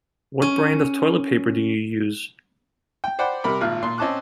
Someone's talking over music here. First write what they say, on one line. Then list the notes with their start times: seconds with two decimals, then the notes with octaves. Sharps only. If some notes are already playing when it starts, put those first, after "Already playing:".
What brand of toilet paper do you use?
0.42 C#4
3.04 G5
3.19 C5 D5 F#5 G5 B5
3.44 C3 G3 A#4 B5 D6
3.61 G#1 A#2 F4 F6 F#6
3.83 A#2 C6
3.98 C4 C#4 D#5 A5 D6 F#6